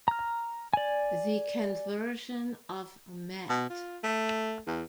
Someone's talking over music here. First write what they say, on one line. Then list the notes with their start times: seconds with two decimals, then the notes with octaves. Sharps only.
The conversion of Met.
0.08 A#5 F6
0.74 D5 G#5
3.49 B2
3.70 F4
4.03 A3
4.67 E2